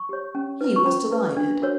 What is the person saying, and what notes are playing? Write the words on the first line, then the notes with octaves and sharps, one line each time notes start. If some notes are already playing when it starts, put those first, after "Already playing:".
He was delighted.
Already playing: C#6
G4 C#5
C#4
E4 B4
C#6
C#4 B5
E4 B4
D4
F#4 A#4 C#5